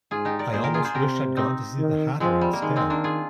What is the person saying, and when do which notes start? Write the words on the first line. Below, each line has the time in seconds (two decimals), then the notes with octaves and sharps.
I almost wish I’d gone to see the Hatter instead!
0.11 G#2 F4 G#4
0.25 D#4 G4
0.39 A#4 D5
0.53 A#2 G#4 C5
0.63 G4 A#4
0.74 F4 G#4
0.84 G#4 C5
0.95 C3 G4 A#4
1.37 C4 D#4
1.78 D#3
2.20 F3 G#3 C4
2.41 G3
2.53 A#3
2.62 D#3 G#3
2.76 G#3 C4
2.90 A#3 D4
3.04 F4 G#4